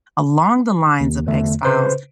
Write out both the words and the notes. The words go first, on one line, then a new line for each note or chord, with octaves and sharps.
along the lines of X-Files.
D#2
E2 D3 A3
C#3 B4 C5